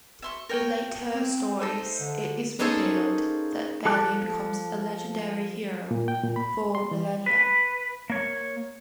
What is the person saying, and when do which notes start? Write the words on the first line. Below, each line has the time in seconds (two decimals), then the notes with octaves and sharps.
In later stories, it is revealed that Baley becomes a legendary hero for millennia.
0.22 E5 C6 C#6
0.49 A#4 C#5 G5
1.15 C4
1.60 D#4 A4 C5 E5
2.00 D3
2.59 A#3 C#4 D#4 G#4 A4 C5
3.85 F3 A4 A5 D6 F#6
5.91 A#2
6.08 G5
6.23 A#2
6.36 B5
6.75 C6
6.91 E3
7.26 B4
8.10 A#3 C#5